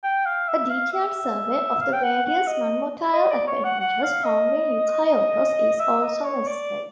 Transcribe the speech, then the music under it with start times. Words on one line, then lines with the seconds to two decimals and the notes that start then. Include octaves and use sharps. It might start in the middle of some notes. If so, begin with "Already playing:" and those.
A detailed survey of the various nonmotile appendages found in eukaryotes is also necessary.
0.03 G5
0.26 F5
0.48 E5
0.70 F5
0.93 E5
1.81 F5
1.93 G5
2.03 F#5
2.26 F#5
2.47 D#5
3.13 D#5
3.31 D5
3.47 C#5
3.64 F#5
3.80 F#5
4.03 F5
4.24 D#5
5.79 E5
6.03 D#5
6.24 C#5
6.47 D5